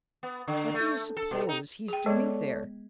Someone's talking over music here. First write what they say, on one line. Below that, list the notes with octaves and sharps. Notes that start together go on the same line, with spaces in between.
What do you suppose he's doing there?
B3
D3
A3
A4
B2
D#4
G#4 G5
G#3 B3 A4 C#5 D5